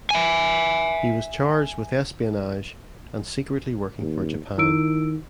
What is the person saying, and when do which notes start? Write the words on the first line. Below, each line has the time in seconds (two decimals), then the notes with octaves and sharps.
He was charged with espionage and secretly working for Japan.
0.11 E5 G#5
4.00 D#2
4.58 D#3 E4 E6 D7